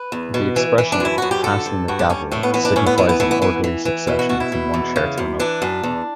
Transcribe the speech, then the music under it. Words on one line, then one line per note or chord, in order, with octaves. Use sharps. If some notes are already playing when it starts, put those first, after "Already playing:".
The expression "passing the gavel" signifies an orderly succession from one chair to another.
Already playing: B4
E2
B2
E3
E3
D4
F#2 E4
F#2 F#4
G4
D3 A4
G2
G2 F#4
D4
G2 C#4
A2 A3
B3
E3 B3
D4
A2 C#4
B3
E3 B3
B3
E3 A3
B3
E3 B3
E3
E3
B2 E4
F#4
B2 F#4
E4
B2
E2
C#3
F#2
E3 D4
F#2
E2